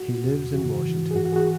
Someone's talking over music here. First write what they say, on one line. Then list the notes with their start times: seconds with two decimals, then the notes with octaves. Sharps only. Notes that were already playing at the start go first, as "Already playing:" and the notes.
He lives in Washington.
Already playing: F#4
0.23 E2 B2
0.54 F#2 C#3 E3 F#4
0.85 G#2 E3
1.11 G#4
1.15 G#2 E3 F#4
1.25 F#4
1.32 G#4
1.36 F#4